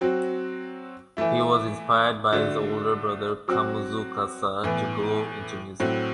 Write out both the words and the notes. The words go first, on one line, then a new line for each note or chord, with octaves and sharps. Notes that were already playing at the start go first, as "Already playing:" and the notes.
He was inspired by his older brother Kamuzu Kassa to go into music.
F#3 C4 F#4
E3 A3 E4
D3 A3 D4 F#4
F#3 C4 F#4
A2 E3 B3
A2 F#3 C4 F#4